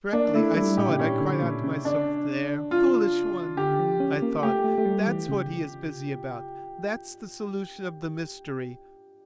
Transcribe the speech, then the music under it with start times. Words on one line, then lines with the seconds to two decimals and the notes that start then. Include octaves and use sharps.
Directly I saw it I cried out to myself: 'There, foolish one,' I thought, 'that's what he is busy about; that's the solution of the mystery!
0.13 A#3 D4
0.34 A3 E4
0.56 G3 E4
0.77 A2 G4
0.89 C#3
0.99 A#2 C#4
1.21 D3
1.42 A#2
1.64 C#3
1.85 C#3 D4
2.71 F4
3.57 D3 G4
3.79 F3
4.00 C#4
4.22 A#3
4.43 A3 G4
4.64 A3
4.78 A3
4.85 G3
5.07 E3
5.28 C#3